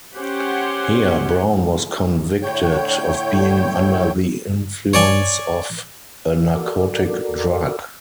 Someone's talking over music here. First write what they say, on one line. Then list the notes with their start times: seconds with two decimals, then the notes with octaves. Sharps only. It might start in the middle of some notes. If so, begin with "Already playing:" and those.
Here, "Brown was convicted of being 'under the influence of" a narcotic drug.
0.16 C#4 G4 C5 F#5 G#5 C6
2.43 A2 D3 A3 C#5 G5 G6
4.93 C#5 D5 G#5
6.56 F#4 A4 A#4 D5